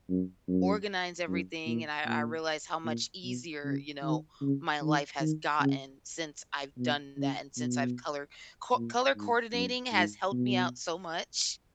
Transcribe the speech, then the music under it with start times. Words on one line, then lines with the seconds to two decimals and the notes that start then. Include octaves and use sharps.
organize everything," and I I realized how much easier, you know, my life has gotten since I've done that and since I've color co Color coordinating has helped me out so much.
0.10 F#2
0.48 F#2
1.28 F#2
1.66 A#2
2.05 A#2
2.84 A#2
3.24 B2
3.64 C#3
4.02 D#3
4.41 C#3
4.82 D#3
5.20 D#3
5.60 C#3
6.77 B2
7.18 C#3
7.57 B2
8.75 A#2
9.15 G#2
9.53 F#2
9.92 G#2
10.32 B2